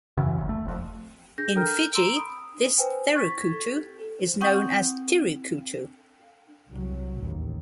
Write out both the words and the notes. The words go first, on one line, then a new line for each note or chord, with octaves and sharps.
In Fiji - this Therukootu is known as Tirikutu.
F#2 C#3 E3
F#1 D2
A3
F1 F2
D4 G#4 G6 A#6
A4 A#4 G5 A#5 F6 G6
A#5 C6 E6 D7
B5 D#6
B4 C5 G5 G#5
C#6 G#6 A6 B6
C4 F#5 G5 C#6 D#6 G6
C2 F#3
A1 D#2